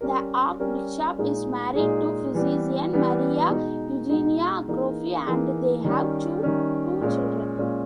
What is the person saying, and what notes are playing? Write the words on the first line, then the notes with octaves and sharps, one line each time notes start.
The archbishop is married to physician Maria Eugenia Akrofi and they have two children.
G3 C#4 G4 A#4
G3 C#4 G4 A#4
A#2 G#3 D#4 G#4
A#2 G#3 D#4 G#4
E3 G3 B3
E3 G3 B3
B2 G#3 D#4
B2 G#3 D#4
E3 A#3 D#4 G#4
E3 A#3 D#4 G#4
D#3 G3 C#4
D#3 G3 C#4
A#2 G#3 C#4
A#2 G#3 C#4